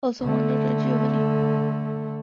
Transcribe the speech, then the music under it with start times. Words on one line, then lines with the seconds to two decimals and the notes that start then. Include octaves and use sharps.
Also one daughter, Giovani.
0.21 D3 A3